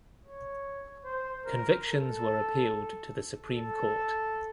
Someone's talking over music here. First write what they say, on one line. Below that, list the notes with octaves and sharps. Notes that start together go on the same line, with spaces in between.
Convictions were appealed to the Supreme Court.
C#5
C5
A#4
A4
A4